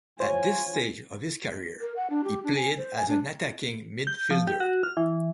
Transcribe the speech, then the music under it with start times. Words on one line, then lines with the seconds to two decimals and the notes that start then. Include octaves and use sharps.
At this stage of his career, he played as an attacking midfielder.
0.20 F4 C5 C#5 G#5
1.81 A#4
1.96 F#5
2.10 D4
2.24 G4
2.44 D4
2.56 G#5
2.77 C5
2.96 G#5
3.08 D4
4.07 G6
4.31 F3
4.47 G4
4.60 F#4
4.83 F6
4.97 E3